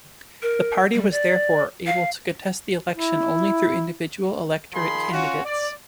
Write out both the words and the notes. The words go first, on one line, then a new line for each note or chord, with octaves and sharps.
The party was therefore able to contest the election only through individual electorate candidates.
A#4
G3
D5
F5
E4
D#3 F3 G#4 B5 C6
C#4 F4 F#4
D5